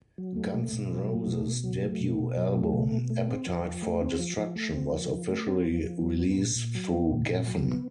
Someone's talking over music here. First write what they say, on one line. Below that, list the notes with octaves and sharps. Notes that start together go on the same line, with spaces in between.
Guns N' Roses' debut album, "Appetite for Destruction", was officially released through Geffen.
F#3
A3
B2
B2
F#3
A3
B2
B2
F#3
A3
B2
B2
F#3
A3
B2
B2
A3
C4
F3
F3
A3
C4
F3
F3
A3
C4
F3
F3
A3
C4
F3
F3
F#3
B3
A#2
A#2
F#3
B3
A#2
A#2
F#3
B3